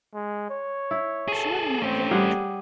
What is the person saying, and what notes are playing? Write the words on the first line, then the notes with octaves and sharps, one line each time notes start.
Surely not yet!
G#3
C#5
E4
G#4 A4
A3 C4 C#4
G3 G#4 F#5